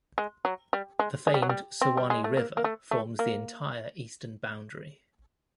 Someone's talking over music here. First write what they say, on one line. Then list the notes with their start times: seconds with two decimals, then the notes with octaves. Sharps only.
The famed Suwannee River forms the entire eastern boundary.
0.18 G#3
0.45 F#3
0.73 G3
0.99 G#3
1.27 G#3
1.34 G3
1.42 F#3
1.49 G3
1.81 C4
1.97 G3
2.10 G#3
2.24 A3
2.37 A#3
2.57 A#3
2.64 A3
2.91 A3
3.19 A#3